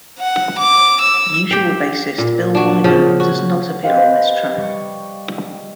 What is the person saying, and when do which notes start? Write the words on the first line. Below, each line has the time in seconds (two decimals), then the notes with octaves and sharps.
Usual bassist Bill Wyman does not appear on this track.
0.19 F#5
0.58 D6
1.01 E6
1.51 G4 G5
2.18 A#2
2.55 D4 F#4
2.84 C#3 F3
3.20 F#4
3.83 G4 B4 C5 D#5 F5 G5
4.58 G3 C#6 C#7